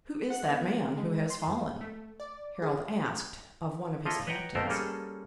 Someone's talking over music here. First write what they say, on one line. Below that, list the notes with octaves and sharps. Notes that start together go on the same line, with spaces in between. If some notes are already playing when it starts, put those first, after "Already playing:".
'Who is that man who has fallen?' Harold asked of one of his captains.
F#5
B3
G#3
C6
F2
A3
D5
G#4
F3 A#3 E4 F4 C#5 D#5
B4 C#5 D#5 F#5 G5 A#5
F2 A3 B3 A#4 C5
G3 A#3 C#4 G#4 A4